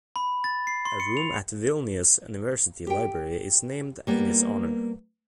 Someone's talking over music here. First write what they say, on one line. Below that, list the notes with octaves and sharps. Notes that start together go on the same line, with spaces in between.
A room at Vilnius University library is named in his honor.
B5
A6
C7
C6
C#7
F7
G4 G5
G3 A#3 B3